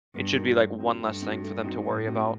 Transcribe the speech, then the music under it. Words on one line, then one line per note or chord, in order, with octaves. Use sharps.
it should be, like, one less thing for them to worry about.
G2 B3
D#4 F#4 A#4
A3
C4 D#4 F#4
G2 A3
C4 D#4 F#4
A3
C4 D#4 F#4
A2 A3
C4 D#4 F#4